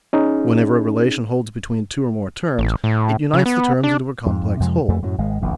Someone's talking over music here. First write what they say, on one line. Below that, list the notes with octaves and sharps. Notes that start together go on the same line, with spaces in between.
Whenever a relation holds between two or more terms, it unites the terms into a complex whole.
C#4 D#4 G#4
A1
A2
C#3
B3
D4
F2 G#2
F2 C3 F3 G#3
F2 A3
F#2 A2 F#3
G#1 G#3
D1 A#1 E2